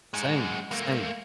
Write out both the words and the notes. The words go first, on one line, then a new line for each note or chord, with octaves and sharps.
Same, same.
F#2 G#3
A3 A#3